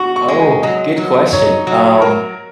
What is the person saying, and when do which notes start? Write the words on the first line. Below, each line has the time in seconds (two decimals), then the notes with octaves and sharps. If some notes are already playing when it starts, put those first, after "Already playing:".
Oh, good question, um,
Already playing: F#4 C#6
0.16 C#6
0.28 G#3
0.39 G#5
0.63 F#3 D#5
0.98 F#3
1.33 D#4 C#5
1.67 F#3
2.01 F#3 A#4